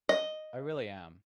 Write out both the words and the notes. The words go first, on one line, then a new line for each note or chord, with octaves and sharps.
I really am.
D#5